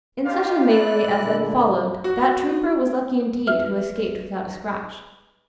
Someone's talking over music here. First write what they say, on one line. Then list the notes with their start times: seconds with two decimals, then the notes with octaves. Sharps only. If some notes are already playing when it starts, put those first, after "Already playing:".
In such a melee as then followed, that trooper was lucky indeed who escaped without a scratch.
0.25 D#4 F4 G4 F5
0.68 E4 D5 F#6
1.21 A#2 D3
2.04 F#4
3.47 B4 E5 F6